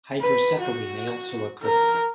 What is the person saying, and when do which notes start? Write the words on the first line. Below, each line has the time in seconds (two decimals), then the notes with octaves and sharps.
Hydrocephaly may also occur.
0.21 B4
0.60 F#4
1.63 A#4